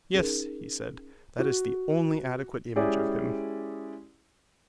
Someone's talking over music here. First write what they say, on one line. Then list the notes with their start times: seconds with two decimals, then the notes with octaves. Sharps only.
Yes, he said, that is the only adequate image of him.
0.14 C#4 D#4 G#4 A#4
1.39 F#4
2.76 G#3 C#4 E4 G4 G#4 D5